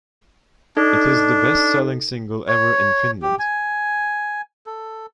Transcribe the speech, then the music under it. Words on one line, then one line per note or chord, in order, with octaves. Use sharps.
It is the best selling single ever in Finland.
D4 D#4 A4
C#5
G4
G#5
A4